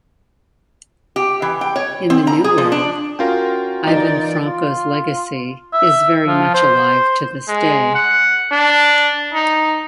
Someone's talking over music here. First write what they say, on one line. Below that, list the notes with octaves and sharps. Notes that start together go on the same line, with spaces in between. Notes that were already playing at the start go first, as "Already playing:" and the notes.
In the new world, Ivan Franko's legacy is very much alive to this day.
G4
E3
G5
C#5
C4
A#5
G#4
F3
D4
C#4 F4 F#4 A#4 F5 G5
E3 D#4 D5
F4
E5
F3
C5
G#3
F#5
D4
D#4